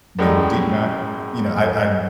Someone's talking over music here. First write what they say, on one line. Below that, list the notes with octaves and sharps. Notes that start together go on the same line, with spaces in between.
that did not you know, I I
F#2 A2 G3 G#3